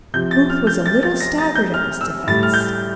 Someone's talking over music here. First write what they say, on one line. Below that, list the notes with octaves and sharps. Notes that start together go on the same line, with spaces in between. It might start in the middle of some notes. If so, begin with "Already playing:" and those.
Booth was a little staggered at this defence.
C3 F3 G6
A6
F6
G6
A6
A6
A#6
A6
G6
F6
E6
A2 G3 A6
F6
G6